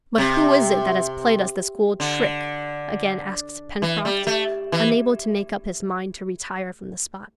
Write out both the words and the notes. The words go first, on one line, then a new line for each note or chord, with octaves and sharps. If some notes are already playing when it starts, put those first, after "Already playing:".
"But who is it that has played us this cool trick?" again asked Pencroft, unable to make up his mind to retire from the spot.
C3
D3
E3
G3
A3
E3